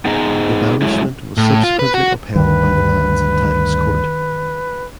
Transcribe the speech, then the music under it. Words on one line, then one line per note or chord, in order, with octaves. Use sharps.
The banishment was subsequently upheld by the lands and Titles Court.
B3 D#4 G#4 D#5 A#5
F#3 G#3 A3 E4
A2
F4
B4
F#4
D2 G2 D#3 B4